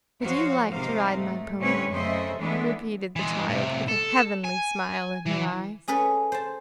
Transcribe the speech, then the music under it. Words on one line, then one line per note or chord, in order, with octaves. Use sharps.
"Would you like to ride my pony?" repeated the child, with a heavenly smile in her eyes.
F3 F#4 C#5 F5
G#2 C3 D#3 A#4 C5 F5
G#2 A3
A2 D3 C4 C#4 B4 C#5
F#2 C#3 A3 C5 D#5 E5
E3 G#3 A3 B3 D4 E4
E3 G#3
A2 C3
A4
G#5
E3
C#4 G#4 A4 B4 C#5
C5 A5